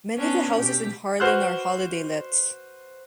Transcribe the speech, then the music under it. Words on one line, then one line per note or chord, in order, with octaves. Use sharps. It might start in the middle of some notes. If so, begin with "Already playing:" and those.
Many of the houses in Harlyn are holiday lets.
B3 C#4 D4
B2 G4
F#4 B4 C5 F6 F#6